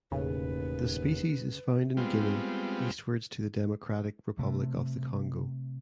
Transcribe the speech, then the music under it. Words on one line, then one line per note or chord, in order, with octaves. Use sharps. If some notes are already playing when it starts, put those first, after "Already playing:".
The species is found in Guinea eastwards to the Democratic Republic of the Congo.
E1 D#2 A2 C#3 B4
G3 G#3 B3 C4 F4
C3 A3